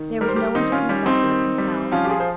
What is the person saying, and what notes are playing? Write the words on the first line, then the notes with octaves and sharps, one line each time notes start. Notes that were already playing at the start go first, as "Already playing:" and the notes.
There was no one to consult but themselves.
Already playing: D#3
G3 A#4
C5
G4 A#4
D#3 C4 D#4
C#4 F4
G3 C#4
C4 D#4
D#3
G3
F3 C#4 F4
G4
F4 G#4
C5